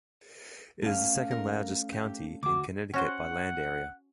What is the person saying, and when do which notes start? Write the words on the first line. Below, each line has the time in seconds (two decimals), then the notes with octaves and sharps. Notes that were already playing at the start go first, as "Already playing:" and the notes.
It is the second-largest county in Connecticut by land area.
0.83 A3 C#4 F5
1.31 A#4
1.93 G4
2.43 D2 F#4 D6
2.94 C#4 F#4 C5 F#5